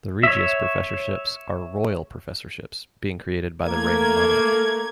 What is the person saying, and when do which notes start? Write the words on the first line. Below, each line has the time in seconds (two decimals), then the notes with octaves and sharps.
The Regius Professorships are "royal" professorships, being created by the reigning monarch.
0.23 C#5 E5
3.65 A3 A#3 G#6